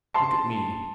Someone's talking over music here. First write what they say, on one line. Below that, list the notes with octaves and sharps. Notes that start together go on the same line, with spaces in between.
Look at me.
A5 C6